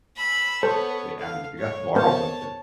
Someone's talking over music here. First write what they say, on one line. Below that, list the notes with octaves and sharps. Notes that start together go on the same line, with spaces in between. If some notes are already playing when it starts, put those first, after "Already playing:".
Eh I mean, if you gotta borrow something.
B5 E6
B3 A4 C5 C#5
F5
C#5
B3 A#4 C5 C#5 A5